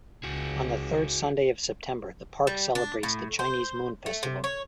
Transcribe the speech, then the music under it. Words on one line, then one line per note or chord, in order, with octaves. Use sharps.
On the third Sunday of September, the park celebrates the Chinese Moon Festival.
C#2 F#4 G#4
G3
D4
A2
C5
A3
C3
C#5